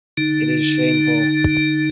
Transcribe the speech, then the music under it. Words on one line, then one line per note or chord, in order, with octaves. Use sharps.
It is shameful.
D3 D#4